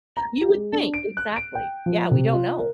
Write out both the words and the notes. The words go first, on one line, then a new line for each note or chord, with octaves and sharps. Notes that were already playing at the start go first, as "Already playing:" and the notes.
You would think. Exactly. Yeah. We don't know.
A#5
G4
G#3
D4
D7
F#6
D7
G5
F3
C3
F4
A#4